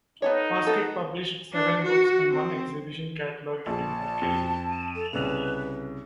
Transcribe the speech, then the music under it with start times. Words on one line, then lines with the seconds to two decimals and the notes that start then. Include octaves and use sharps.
Foskett published seven books and one exhibition catalogue during her career.
0.22 B3 D#4 A4 C#5
0.67 B3 A4
1.53 D4
1.85 F#4
2.30 C4
3.66 A#1 A5
4.22 F2
4.96 A4
5.13 C2 C#3 B4